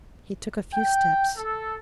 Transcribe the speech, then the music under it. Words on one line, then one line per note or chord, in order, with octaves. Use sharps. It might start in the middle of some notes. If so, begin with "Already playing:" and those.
He took a few steps.
G5
A4